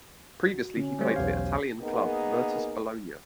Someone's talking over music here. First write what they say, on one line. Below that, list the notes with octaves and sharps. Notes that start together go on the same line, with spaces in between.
Previously he played for Italian club Virtus Bologna.
F#4
D3 C#4
G3 A3 G4 C5 C#5
B1 E2 F5
A#3 B3 D#4 G#4 A#4